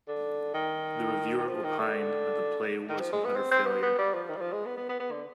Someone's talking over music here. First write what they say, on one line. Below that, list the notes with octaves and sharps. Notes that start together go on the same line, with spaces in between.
The reviewer opined that the play was an utter failure.
D3
D#3
D#3
F3
D#3
D3
D#3
F3
G#3
B3
C4
C4
B3
B3
G3
F3
D#3
G3
F3
G#3
B3
B3
B3
B3
D3